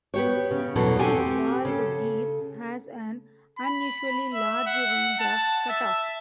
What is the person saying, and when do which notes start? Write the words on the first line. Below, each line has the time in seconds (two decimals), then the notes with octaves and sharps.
This valve gear has an unusually large range of cutoff.
0.14 B3 G4 C#5
0.51 C#3
0.76 E2 B2 E3 F#3 A4
0.99 C4 G4 A4 F#5 G#5
1.65 C#3 A4
3.58 B5
4.34 E5
4.66 F#5
5.20 A5
5.69 E5